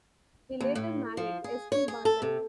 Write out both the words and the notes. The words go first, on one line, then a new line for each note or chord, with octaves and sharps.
He later married Esme Barton.
D#2
A2
F3
G#4
C#5
G#4
A4
C3